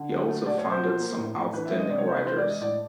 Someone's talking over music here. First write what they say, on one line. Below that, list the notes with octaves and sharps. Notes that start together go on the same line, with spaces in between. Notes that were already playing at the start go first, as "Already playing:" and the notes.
He also funded some outstanding writers.
Already playing: D3
F#3
A3
B2 D5
C#5
B2
C5
F3
A#3
A2
A2
E3 B4
E5
G#3
D#5
C3 D5
C#5
C3 C5
B4
E3 C5
D5
G#3
D#5
A2 D5